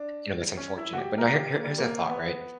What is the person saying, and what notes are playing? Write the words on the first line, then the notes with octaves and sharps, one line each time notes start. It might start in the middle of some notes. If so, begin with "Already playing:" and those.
you know, that's unfortunate. But now here here here's a thought, right,
Already playing: D4
C#4
E4
F#4
G4
A#4
G4
A#3
G3
A#3
B3